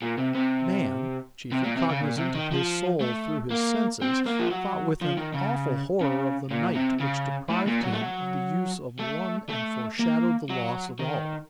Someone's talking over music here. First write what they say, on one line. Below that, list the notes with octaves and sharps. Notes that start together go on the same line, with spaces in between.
Man, chiefly cognizant of his soul through his senses, thought with an awful horror of the night which deprived him of the use of one and foreshadowed the loss of all.
A#2
C3
C3
C3
A#2
C3
C#3
A#2
C3
D#3
F3
A3
A#3
C4
A#3
F3
F#3
F3
D#3
C#3
C#3
A#2
C3
C#3
A2
A#2
F#3
A3
F#3
A3
A3
A#3
F#3
D#3